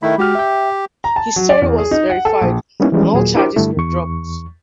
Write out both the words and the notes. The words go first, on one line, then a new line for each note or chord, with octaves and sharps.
His story was verified and all charges were dropped.
D#3 A3 E4 B5
G#3 F#4 G4 F6
E5 G5
A#5
A5
F#3
D5
E2
G#4
D#4
F#5
A4
A#1
G3 A#3 B3 C#4 D#4 E4
E3 F3 G3 G#3 C#4
D#2 A#2 F#3 A#3 G#4
D4 E4 G4 A#4 C5 D6
G2 D3 G3 A3 E4
E2 C#6